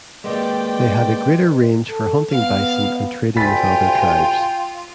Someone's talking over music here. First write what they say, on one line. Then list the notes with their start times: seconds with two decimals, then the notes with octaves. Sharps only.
They had a greater range for hunting bison and trading with other tribes.
0.24 G#3 A#3 B4 D5 D#5 G5 C6
1.89 A4
2.32 B3 F5
3.36 D2 C3 F4 G5 G#5 B5 A6 B6